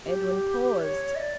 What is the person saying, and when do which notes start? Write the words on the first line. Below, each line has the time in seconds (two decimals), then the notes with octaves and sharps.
Edwin paused.
0.04 G4
0.78 D5
0.82 C#5
1.15 E5
1.19 D5